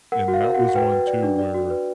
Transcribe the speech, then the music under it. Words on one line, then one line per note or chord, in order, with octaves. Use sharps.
And that was one too where
A#4 F#5
F#4
F5
A#4
F#4 F#5
F#5
B4 G5
B4
D5
D4
D5
F#4
B4